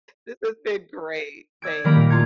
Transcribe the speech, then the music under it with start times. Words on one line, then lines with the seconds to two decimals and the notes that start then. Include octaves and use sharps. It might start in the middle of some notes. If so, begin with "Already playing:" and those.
This has been great, thanks.
1.62 D5 E6 G#6 D7
1.84 D#3 G3 A#3 A#4 B5 D7
1.96 A#2
2.09 A3 F4 A#5 G#6 C#7